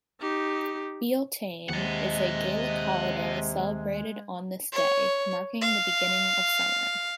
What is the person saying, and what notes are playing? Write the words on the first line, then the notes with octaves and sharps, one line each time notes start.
"Bealtaine" is a Gaelic holiday celebrated on this day, marking the beginning of summer.
D#4 G4
D#2 C3 G#3 D#5 F#5
C#5
F5